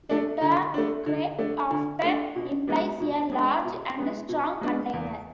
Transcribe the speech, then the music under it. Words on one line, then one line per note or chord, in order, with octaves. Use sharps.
The term 'crate' often implies a large and strong container.
A3 D4
D3
A3 D4
D3
A3 D4
D3
A3 D4
B2
G#3 B3 D4
B2
G#3 B3 D4
B2
G#3 B3 D4
B2
G#3 B3 D4
E2